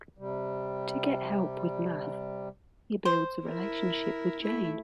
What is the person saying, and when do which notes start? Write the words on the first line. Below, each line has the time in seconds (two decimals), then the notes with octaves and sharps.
To get help with math, he builds a relationship with Jane.
0.18 C3 G3
3.05 C5
3.44 E4 A#4
4.42 A3 E4